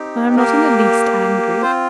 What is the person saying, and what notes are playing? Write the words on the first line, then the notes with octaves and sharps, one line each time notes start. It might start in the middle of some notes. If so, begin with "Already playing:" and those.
"I am not in the least angry."
Already playing: C4 D#4 G4
A#3 G4 A#4
C4 F4 C5